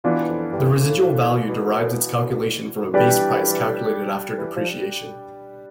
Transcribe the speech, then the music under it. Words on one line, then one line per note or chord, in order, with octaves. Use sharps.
The residual value derives its calculation from a base price, calculated after depreciation.
B2 E3 B3 D4 F4
F2
G2
A2
B2
E3 G3 D4 G4 B4 D5
E3
F3